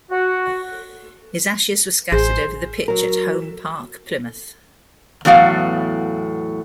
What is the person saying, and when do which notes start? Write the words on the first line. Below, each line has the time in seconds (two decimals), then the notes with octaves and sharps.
His ashes were scattered over the pitch at Home Park, Plymouth.
0.11 F#4
2.12 A1 G#3 C5
2.88 F#3 A#4
5.25 E2 A2 F#3 B3 F5